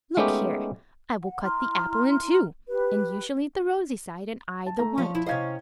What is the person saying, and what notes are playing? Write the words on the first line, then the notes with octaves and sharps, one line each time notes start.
"Look here; I will cut the apple in two, and you shall eat the rosy side, and I the white."
G#3 A3 B3 C#4 D#4 G4
F#5
E4 A#5 C6 F6
G4 B4
A5
A3 A#5
F3 C#4
E4
C3 C#4 C5 D#5 F5 G#6